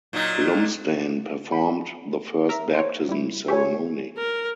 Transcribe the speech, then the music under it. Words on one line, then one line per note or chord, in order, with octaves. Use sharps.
Lumsdaine performed the first baptism ceremony.
A#2 F#3 D#4
B5
A#4 E5 A#5
C5 C#5
G3 E4
G4 C#5 E5 G#5 C#6
A#4